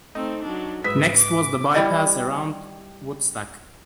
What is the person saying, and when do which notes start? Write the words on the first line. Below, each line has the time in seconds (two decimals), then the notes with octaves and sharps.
Next was the bypass around Woodstock.
0.15 A3 C4 D#4
0.43 F#3 D4
0.84 G#2 B4 E5 D#6 B6
1.17 D6
1.74 G3 A3 E4 G4 D5 D#5